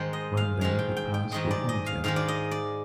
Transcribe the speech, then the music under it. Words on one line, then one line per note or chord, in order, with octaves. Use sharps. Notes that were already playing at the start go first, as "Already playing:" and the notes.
One day the past will haunt him.
Already playing: G#2 D#3 G#3 C5
D#5
F5
G#2 D#3 G#3 F5
G5
G5
G5
G#2 D#3 G#3 D#5
D5
D#5
F5
G#2 D#3 G#3 F5
D5
D#5
D5